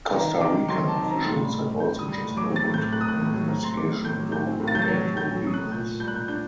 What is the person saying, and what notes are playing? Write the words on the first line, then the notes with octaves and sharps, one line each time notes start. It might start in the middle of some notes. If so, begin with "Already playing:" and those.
Costa Rican officials had also just opened an investigation into Roberto Rivas.
D#3 A#5
D#3
D#3 D6
D#3
F#3 C6
C4 A5
D#3
A#5
C4
A2 C6
G3
A2
G3
A2 G6
G3 D#6
G3
A2
F#3 D6
C4 A6
A2
G6
A2
A2 F#6
D#6
A2 F#6
A2
F#3
C4 A#5
A2 C6
C4 D6
A2
A2 G6
F#3
A2 G6
C4
A2
A6
F#3 G6
A6
F#3
F#3
A2 G6
F#3
F#3 D#6
F#6
A2
A#2 G6
A#2
G3 G6
F#6
A#2 G6
D4 G6